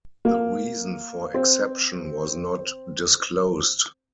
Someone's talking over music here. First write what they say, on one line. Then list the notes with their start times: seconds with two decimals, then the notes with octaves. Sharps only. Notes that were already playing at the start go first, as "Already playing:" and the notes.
The reason for exception was not disclosed.
0.25 A#3
1.34 C4